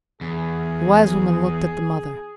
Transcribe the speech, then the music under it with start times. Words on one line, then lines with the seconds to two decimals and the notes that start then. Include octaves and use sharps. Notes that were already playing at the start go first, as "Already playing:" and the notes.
The wise woman looked at the mother.
0.21 E2 G#4